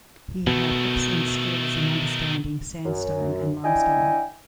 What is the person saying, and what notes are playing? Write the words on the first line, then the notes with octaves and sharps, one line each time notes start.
He had excellent skills in understanding sandstone and limestone.
B2 D#3 A3
F#2
D4 E4 D#5 G5 G#5